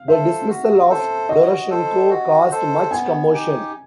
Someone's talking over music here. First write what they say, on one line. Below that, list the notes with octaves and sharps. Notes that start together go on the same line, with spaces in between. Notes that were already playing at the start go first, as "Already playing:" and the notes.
The dismissal of Doroshenko caused much commotion.
Already playing: F5
A4 C5 E5
F#4
A4 C5
F#4 D#5
A4 C5
F#4
A4 C5
B3 G#5
D#4 G4